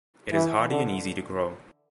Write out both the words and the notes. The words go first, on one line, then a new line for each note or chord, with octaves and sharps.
It is hardy and easy to grow.
E3
D3